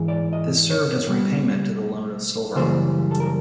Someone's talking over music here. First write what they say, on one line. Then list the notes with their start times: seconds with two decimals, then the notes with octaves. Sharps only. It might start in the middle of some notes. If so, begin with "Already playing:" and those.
This served as repayment to the loan of silver.
Already playing: G#2 E3 G#3
0.08 D5
0.33 D#5
0.70 C#5
1.07 B2 G3 B3
2.55 F#2 C#3 E3 G3 A#3 C5
3.11 A4
3.20 A#4